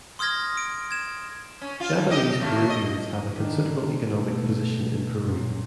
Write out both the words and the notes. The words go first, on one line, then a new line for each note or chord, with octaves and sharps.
Japanese Peruvians have a considerable economic position in Peru.
C6 D#6 F6 G#6 A#6
D7
G#6 E7
C#4
F4
D#2
G4 D#5
D#2 A3 A#3
D#5
D#3 D4
B2 A3
F#2 A#2